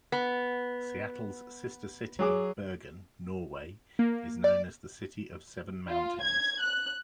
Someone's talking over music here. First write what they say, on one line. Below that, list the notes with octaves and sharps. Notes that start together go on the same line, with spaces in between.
Seattle's sister city, Bergen, Norway, is known as the City of Seven Mountains.
B3
F#3 G#4 D6
A#3
D5
F4
G#6
F#6